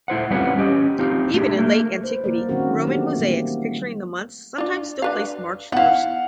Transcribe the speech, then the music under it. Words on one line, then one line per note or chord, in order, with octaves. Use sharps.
Even in late antiquity, Roman mosaics picturing the months sometimes still placed March first.
A3 E4 C5 F#5
G3 C4 C#4 F4 B4 F#5
C#4 G4 D#5
C4 D#4 F4 G4
A3 D4 G4 G#4
A3 A#3
B4 C5
D#3 A#3 A#4 D5
D#3 F#3 C4 C#4 F#4 A#4
E3 A3 B3 C4 E4 G4
G3 A#3 C4
D4 F4
D4 B4 F5
B3 E4 F5 F#5